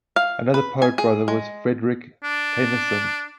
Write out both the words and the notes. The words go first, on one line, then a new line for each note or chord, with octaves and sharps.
Another poet brother was Frederick Tennyson.
F5
B4
G#5
G#4
G#3
D4